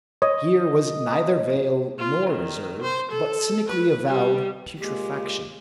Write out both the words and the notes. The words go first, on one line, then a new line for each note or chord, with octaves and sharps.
Here was neither veil nor reserve, but cynically avowed putrefaction.
C#5 D#5
F4
D#3
C5
A4
B4
G3
A#2 G#3 A#3 G4